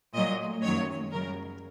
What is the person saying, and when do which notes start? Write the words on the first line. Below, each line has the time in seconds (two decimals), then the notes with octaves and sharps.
I knew nothing about it.
0.14 A#2 F#3 D#5
0.62 F#2 D#3 F#3 C#5
1.11 F#2 C#3 F#3 A#4